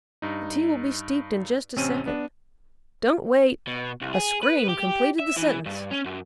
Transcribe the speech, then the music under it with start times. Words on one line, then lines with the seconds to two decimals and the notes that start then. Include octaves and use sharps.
"The tea will be steeped in just a second. Don't wait--" A scream completed the sentence.
0.22 G2 D#4
1.76 A1 C3 C4 C#4 D#7
2.06 B3 D4
3.67 B2
4.01 C2
4.14 G#4
4.43 B4
4.69 G4
5.19 E5
5.36 E3
5.66 G2
5.91 C#4
6.06 F#2